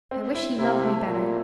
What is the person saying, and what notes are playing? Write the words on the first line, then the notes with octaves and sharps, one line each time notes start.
"I wish he loved me better."
C4
E4
C3 E4
A3
A#2